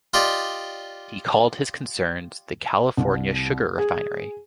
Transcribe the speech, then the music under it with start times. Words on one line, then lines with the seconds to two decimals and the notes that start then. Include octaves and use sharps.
He called his concerns the "California Sugar Refinery".
0.14 F4 G4 D5 D#5
2.97 C2
3.79 G#4